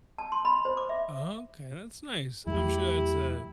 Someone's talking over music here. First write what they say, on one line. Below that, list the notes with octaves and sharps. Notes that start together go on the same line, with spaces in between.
Okay, that's nice. I'm sure that's, uh,
A5
C6
B5
C5
D6
E5
E2 F#3 A3 E4 G4